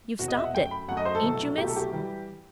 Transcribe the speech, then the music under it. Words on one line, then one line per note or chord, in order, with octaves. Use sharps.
"You've stopped it--ain't you, miss?"
E1 E2 C3 F#4
D#5
E5
F#5
F#2 F#3 A3 G5
B5
F#2 F#3 A3 F#5
D#5
C5
A4
C2 B2 F#3 A3
C2 B2 F#3 A3 G4
A4
G4
E3 G3